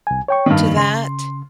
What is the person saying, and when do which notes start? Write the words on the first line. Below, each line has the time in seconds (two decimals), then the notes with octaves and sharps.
to that.
0.07 C2 G#5
0.28 C#5 G5 C#6
0.46 G2 D#3
0.60 F2 A#3
0.77 C#3 C6